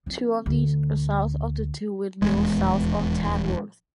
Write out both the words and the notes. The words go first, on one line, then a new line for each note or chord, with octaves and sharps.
Two of these are south of the two windmills south of Tadworth.
F3 C4
D2
D#1 E2 G#3